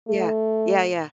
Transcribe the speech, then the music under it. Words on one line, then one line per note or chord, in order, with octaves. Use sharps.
Yeah. Yeah, yeah.
A3